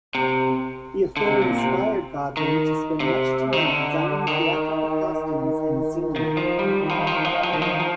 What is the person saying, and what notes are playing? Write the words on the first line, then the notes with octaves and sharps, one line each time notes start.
The affair inspired Godwin to spend much time designing theatrical costumes and scenery.
C3
D3
C3
A#2
C3
D#3
C3
D#3
D3
D#3
D#3
F3
G3
D#3
F3
D#3
F3
D#3
F3
D#3
F3
D#3
F3
D#3
F3